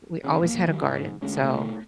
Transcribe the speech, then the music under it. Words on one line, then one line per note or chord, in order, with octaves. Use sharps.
We always had a garden, so,
C#3
E1 A#1 G#2 A#3
D#3 F#3 G3
G#2
D2 G#3 C#4
B2 A3